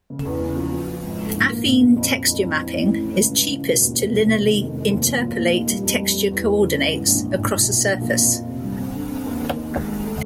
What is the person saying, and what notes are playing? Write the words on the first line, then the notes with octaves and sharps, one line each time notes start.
Affine texture mapping is cheapest to linearly interpolate texture coordinates across a surface.
C#3
E2
C#3
F3
F3
F3
G#1
G#2
A#1
A#3
A#1
A#2
F2
F2
F2
F2
E3
A1
A2
E3
C#2
C#2
C#2
B2
D#2
F1
F1
F1
D#3
F1
F1
D#2
F3
A#2
A#3
D#4
G3
F2
G3
G3
E2
E3
C#3
E3
G#2
A#1
G#2
A#1
B1
A#2
F3
A#2
F2
F3
C3
G1
C4
D3
C4
D#2
D#3
D#3
G#3
G#3
A3